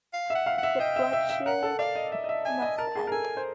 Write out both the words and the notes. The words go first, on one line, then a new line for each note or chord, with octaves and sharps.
The bloodshed must end.
F5
E5
F#5
F5
F#5
E5
D#5 G5
E5
E5
E5
A#4 F#5
A4
D5 F5
D#5
E5
D#5
E5
E5 G#5
D#5
A#4 A5
G#4
A#4
A4 G#5
C5